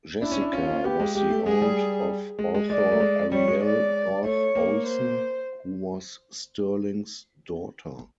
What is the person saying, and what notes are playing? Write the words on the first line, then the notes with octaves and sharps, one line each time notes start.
Jessica was the aunt of author Arielle North Olson who was Sterling's daughter.
D4 E4
C#4
D4
C#4 F4
C#4
B3 G4
G#3
G#3 G4
A3
G#3 G#4
G3
G#3
G#3
G#3 D5
A3
G#3
G3 C#5
G#3
D5
A3 C#5
A#3
C5